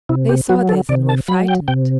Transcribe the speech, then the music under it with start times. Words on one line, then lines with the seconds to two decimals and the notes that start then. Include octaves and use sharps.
They saw this, and were frightened.
0.09 C3 E4
0.29 G4
0.49 F#3 F#4
0.69 A4
0.89 C3 D5
1.09 A5
1.28 F#3 B5
1.48 G5
1.68 C3 G5